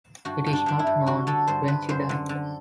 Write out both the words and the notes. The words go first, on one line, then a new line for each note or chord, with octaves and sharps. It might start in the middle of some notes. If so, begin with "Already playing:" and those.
It is not known when she died.
G2 F#4
G2
D4
G2 D4
E4
G2
D3 F#4
D3 A4
G2 C5
G2 B4
F#2 C5
D3
D3